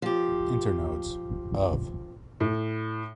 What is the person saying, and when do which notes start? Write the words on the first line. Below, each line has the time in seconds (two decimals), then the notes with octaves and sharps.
Internodes, of.
0.02 F3 G4
2.40 A2